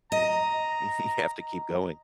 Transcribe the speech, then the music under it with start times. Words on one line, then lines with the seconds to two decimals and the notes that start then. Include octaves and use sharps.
you you have to keep going,
0.12 D#5 A#5